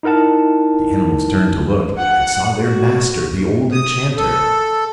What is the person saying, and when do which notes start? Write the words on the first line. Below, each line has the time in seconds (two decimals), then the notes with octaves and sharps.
The animals turned to look, and saw their master, the old enchanter.
0.03 D#4 E4 A#4 F#5 A5
1.98 F#5
2.58 F#4
3.72 D#6
4.17 A4